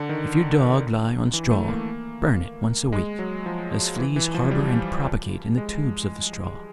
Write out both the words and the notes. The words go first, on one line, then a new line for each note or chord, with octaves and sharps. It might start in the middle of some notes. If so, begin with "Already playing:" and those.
If your dog lie on straw, burn it once a week, as fleas harbour and propagate in the tubes of the straw.
Already playing: D3
D#3
E3
A3
A#3
G#3
F#3
F3
E3
E3
F3
G3
G#3